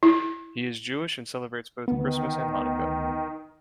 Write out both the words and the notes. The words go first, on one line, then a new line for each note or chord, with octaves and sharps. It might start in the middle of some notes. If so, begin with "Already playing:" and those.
He is Jewish, and celebrates both Christmas and Hanukkah.
E4
D2 D#3 B3